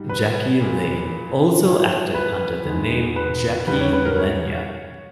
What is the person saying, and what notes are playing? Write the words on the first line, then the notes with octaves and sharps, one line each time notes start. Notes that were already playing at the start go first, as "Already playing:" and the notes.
Jackie Lane also acted under the name "Jackie Lenya".
Already playing: G#2 G3
B4
A#2 G#3
G#2 E3 G3
B4
E2 D#3 G#3
B4
E2 D#3 G3 B4
C#5
B4
A#4
C#5